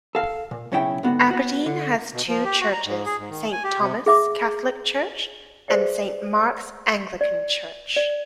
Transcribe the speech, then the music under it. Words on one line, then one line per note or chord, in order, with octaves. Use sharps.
Aberdeen has two churches - Saint Thomas Catholic Church, and Saint Marks Anglican Church.
A4 F5
A#2
B1 C#3 C#4 E4 C5 G5
G#2 D3 B3 F#4
B3 F#4
D3
B2
F3
G4
F#4
A#5
G#2
G#4
G#2
D#3
G#5
G4
C3
G#4 E5 D6
G#4 B4 C5 D5 E5 G5
D5
D5